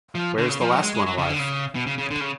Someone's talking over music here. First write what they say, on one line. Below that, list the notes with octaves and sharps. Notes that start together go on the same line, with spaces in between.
Where’s the last one alive?
F3
D3
C#3
F3
F#3
G#3
G#3
F#3
C#3
D3
C#3
B2
C#3
C#3
D3
C#3